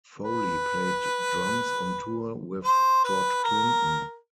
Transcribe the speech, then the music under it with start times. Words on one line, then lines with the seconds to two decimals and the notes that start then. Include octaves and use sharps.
Foley played drums on tour with George Clinton.
0.24 B4
2.64 C5
3.04 B4
3.44 A#4